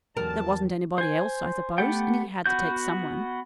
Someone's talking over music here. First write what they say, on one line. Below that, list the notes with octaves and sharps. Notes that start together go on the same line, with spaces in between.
There wasn't anybody else, I suppose; and He had to take some one.
E2 G#2 D3 F#3 G4 A#4 A5
C5 G#5
A3 B3 G4 F#5 G5
B3 F#4 G6